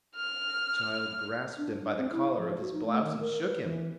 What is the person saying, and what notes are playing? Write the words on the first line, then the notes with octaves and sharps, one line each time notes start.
The child grasped him by the collar of his blouse and shook him.
F6
D4
C4
E4
F3
F#4
D#4
A3
D#3
A#4
B4
E3